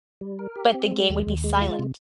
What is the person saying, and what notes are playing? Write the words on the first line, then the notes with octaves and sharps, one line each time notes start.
but the game would be silent,
G3
A#4
G4
C4
G#3
D#2
D#2
G#3
F4
C3